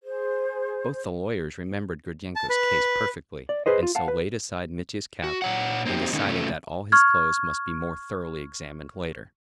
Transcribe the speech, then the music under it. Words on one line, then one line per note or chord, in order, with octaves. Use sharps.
Both the lawyers remembered Gridyenko's case perfectly, and so laid aside Mitya's cap, and decided that all his clothes must be more thoroughly examined later.
G#4 C5
A5
B4
D5
G#4 B4 C5 D#5
F4
F5 F#5 A5
B4
F#4
A#2 C#5 F#5
A#3 C4 D#4 G4
D3 D#3 G#3 A#3 C#4 D#4
C3 A3 C#4 F4 A4
C#6 F6 G#6